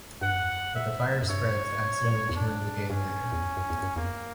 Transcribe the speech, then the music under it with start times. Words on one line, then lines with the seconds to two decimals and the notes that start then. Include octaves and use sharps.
But the fire spreads, accidentally killing the gang leader.
0.21 G2 F#5
0.32 F#2
0.42 E2
0.51 F#2
0.75 E5
1.22 F#2
1.29 G2 C#5
2.29 E2
2.36 F#2 D4
2.90 G2 C#4
3.32 E2
3.43 F#2
3.57 F#2
3.70 E2
3.83 F#2
3.96 E2 A#3
4.05 F#2